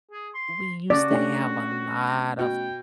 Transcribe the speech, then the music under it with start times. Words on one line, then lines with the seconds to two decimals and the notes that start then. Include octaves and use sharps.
we used to have a lot of
0.11 G#4
0.34 C6
0.90 C#3 F#4 D5
1.11 A3 C#4 D4 G4
2.39 B2 G5